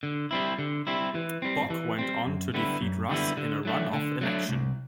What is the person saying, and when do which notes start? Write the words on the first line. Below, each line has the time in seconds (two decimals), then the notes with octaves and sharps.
Boc went on to defeat Rus in a run-off election.
0.03 D3
0.31 G3 C4 E4
0.59 D3
0.87 G3 C4 E4
1.15 E3
1.42 G3 C4
1.70 E3
1.99 G3 C4
2.26 F#2
2.54 D3 G3 B3 E4
2.82 F#2
3.09 D3 G3 B3 E4
3.37 D3
3.65 F#3 A3 D4
3.93 D3
4.21 F#3 A3 D4
4.49 C2